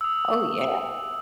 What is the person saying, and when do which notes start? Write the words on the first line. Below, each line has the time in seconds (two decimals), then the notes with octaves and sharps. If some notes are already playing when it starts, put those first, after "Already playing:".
Oh, yeah.
0.01 D#6 E6